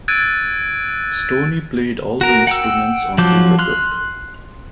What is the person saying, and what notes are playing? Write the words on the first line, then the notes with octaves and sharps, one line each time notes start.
Stoney played all the instruments on the record.
E6 F#6 G#6 A6 D7 D#7
F#4 A#4
F#5 G5 E6
F3 F#3 A5 D6 G6
C6 F6 F#6